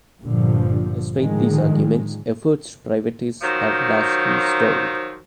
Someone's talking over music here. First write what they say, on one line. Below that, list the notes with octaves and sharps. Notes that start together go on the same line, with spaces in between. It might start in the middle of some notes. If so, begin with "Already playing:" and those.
Despite these arguments, efforts to privatize have largely stalled.
G1 G2 A#2 D3 F3
A2 D3 D#3 F3 G#3
D#3 F3 F#3 C5